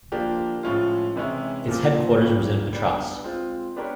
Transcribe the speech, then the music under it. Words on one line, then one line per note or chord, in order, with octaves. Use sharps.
Its headquarters was in Patras.
F3 A#3 D4 G4
A2 F3 G#3 C#4 F4
C3 E3 G#3 C#4 E4
A#2 F3 A#3
A#2 G3 A#3 C#4
G3 B3 D4
G#3 C4 F4
B3 D4 G4 A#4 C#5